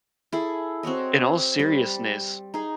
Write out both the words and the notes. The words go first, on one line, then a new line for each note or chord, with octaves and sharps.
in all seriousness,
E4 G#4 A4
C4 F#4 C#5 D#5
G3
D#4 G#4